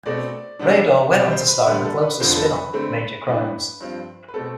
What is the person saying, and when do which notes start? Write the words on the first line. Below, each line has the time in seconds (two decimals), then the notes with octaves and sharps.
Raydor went on to star in "The Closer"s spin-off, "Major Crimes".
0.06 B2 A3 C4 D5
0.59 C3 G3 B3 D4
1.13 B2 G3 C4 D5
1.31 C5
1.48 B4
1.67 D3 G3 B3 B4
1.84 A4
2.02 B4
2.20 F2 D3 F3 B3 C5
2.29 B4
2.37 A4
2.45 B4
2.73 D3 A3 C4
3.27 A2 E3 B3 D4
3.80 G2 F3 C4
4.28 B4
4.34 B2 A3 C4 A4